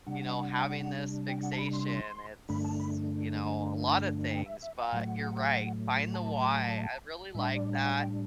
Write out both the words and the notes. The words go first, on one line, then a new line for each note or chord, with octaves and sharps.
you know, having this fixation, it's, you know, a lotta things. But you're right, find the "why." I really like that
C3 G3 D4 F#5
G5
F#5
A5
B5
C6
G2 D3 A3 D4 B5
A5
B5
G5
E5
E5
F#5
A2 F#3 A3
A5
A2 G3 D4 E5
D5
F#5
G5